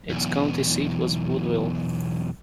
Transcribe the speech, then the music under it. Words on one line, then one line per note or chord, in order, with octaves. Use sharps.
Its county seat was Woodville.
B1 E2